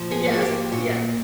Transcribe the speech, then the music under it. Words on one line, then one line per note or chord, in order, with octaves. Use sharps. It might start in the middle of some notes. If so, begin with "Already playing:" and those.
Yes. Yes.
Already playing: A#2 F3
G#4
A#3
F#4
G4
A#2 F#4